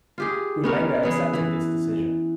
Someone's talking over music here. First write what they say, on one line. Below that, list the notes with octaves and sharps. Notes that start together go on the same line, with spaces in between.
Ulenga accepted this decision.
F4 G4 G#4
B3 C#4 A#4
E3 B3 G#4
E3